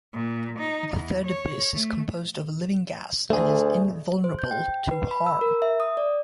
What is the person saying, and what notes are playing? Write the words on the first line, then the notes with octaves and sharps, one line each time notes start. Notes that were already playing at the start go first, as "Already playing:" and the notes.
The third Abyss is composed of living gas and is invulnerable to harm.
A#2
D#4
E2
C#5
A3
D2 A3 G#4
C5
G6
G5
B4
B5
E6
A#4
E5
D#6
D5